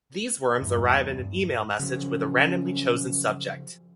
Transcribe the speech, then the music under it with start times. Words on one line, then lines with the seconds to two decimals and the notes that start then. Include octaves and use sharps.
These worms arrive in an email message with a randomly chosen subject.
0.59 E2 G2
1.79 F#2 C#3 F3